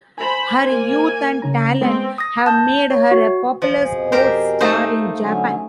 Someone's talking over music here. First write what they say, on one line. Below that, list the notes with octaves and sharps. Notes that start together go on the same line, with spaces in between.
Her youth and talent have made her a popular sports star in Japan.
C5 G#5 B5
A#3 C5 G#5
C#3 C#4 A#5
G#3 B3 C4
D#6 A#6
A5 G6
C#5
F#4
F3
F2 B2 G#4
G4 A#4 C5
A3 D#4 C5
A#3
D3 F#3 C#4